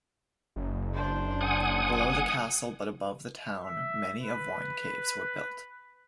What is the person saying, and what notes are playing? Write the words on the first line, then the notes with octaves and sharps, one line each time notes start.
Below the castle, but above the town, many of wine caves were built.
F#1
D4 C5
F#5 G#5 D#6
E5
B4